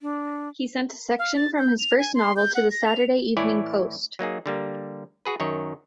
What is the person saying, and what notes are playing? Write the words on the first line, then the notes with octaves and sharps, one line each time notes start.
He sent a section from his first novel to "The Saturday Evening Post".
D4
F5
A6
G6
F7
G#5
C6
G6
F#5
A#6
F7
A2 E3 E4 C#5 D5 G#5
F#3 A#3 D#4 G#4
D3 G3 A#3
F#4 G#4 B4
F#2 D#3 C#5